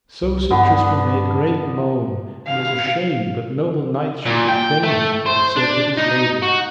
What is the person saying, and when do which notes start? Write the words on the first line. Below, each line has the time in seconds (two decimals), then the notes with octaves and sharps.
So Sir Tristram made great moan and was ashamed that noble knights should defame him for the sake of his lady.
0.23 C2
0.51 G2 D3 B3
2.47 F5
4.26 A#2
4.48 G5
4.83 A3
5.26 C5
5.56 D4
5.98 D#4
6.43 F#4